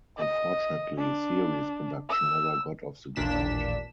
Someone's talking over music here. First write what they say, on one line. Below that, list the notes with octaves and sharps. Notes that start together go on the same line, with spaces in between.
Unfortunately series production never got off the ground.
D#5
D4
E6
A1 D#2 A#2 D4 B6 E7